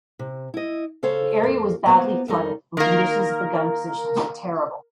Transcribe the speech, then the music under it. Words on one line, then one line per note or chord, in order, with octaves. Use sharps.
The area was badly flooded and conditions at the gun positions were terrible.
C3
E4 D#5
C#3 A4 C5 C#5 F5
F2 A#3
A#3 B3 C5 E5 A#5
F2 D#3 G3 D#4 A4 A#4
D#3 A#3 A#4